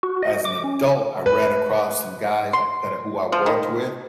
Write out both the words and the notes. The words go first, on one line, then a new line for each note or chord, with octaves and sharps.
as an adult, I ran across some guys that are who I worked with,
F#4
D#5
D6
C#4
B4
C6
F3
D#3